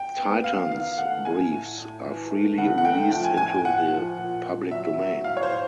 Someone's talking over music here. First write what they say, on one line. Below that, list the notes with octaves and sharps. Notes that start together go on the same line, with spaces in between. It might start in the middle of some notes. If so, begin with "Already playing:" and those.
Titans Briefs are freely released into the public domain.
Already playing: G5
B3
B3 F5
D#3 F5
A3 F#5
A2 G#5
A2
A2
E3
A3
C#3 F#5
F#5
A3 G5
F3 G5
G#5
A2 G#5
G5
A2 F#5
F3
A#2
A#2
F#3 E5
F#3
A2 F5
C#5
C5
A2